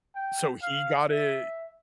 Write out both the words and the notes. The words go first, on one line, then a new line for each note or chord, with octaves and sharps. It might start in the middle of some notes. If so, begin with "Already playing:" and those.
So, he got it
G5
F5
E5